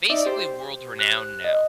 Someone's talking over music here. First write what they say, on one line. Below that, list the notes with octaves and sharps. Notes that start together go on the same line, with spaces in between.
basically world-renowned now
D#4 D5 E5
G4 C5
F#6
D#5